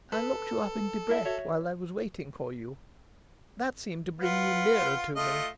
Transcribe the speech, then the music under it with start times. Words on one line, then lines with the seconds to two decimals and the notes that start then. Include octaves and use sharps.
I looked you up in Debrett while I was waiting for you. That seemed to bring you nearer to me.
0.12 A4 B4
1.09 E4 A#4 E5
1.25 F#4 C#5 E5
4.21 F4 B4 F#5
5.15 A3 F4 D#5